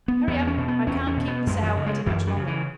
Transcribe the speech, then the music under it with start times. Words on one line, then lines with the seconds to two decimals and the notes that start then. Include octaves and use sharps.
Hurry up, I can't keep the sow waiting much longer.
0.08 B3
0.27 E2 B3
0.47 C#4
0.57 B2
0.68 B3
0.87 E2 C#4
1.07 C#4
1.17 B2
1.28 B3
1.47 F#2 G#3
1.62 E3
1.67 F#3
1.77 C#3
1.86 G#3
2.06 F#2 E3
2.27 F#3
2.36 C#3
2.47 E3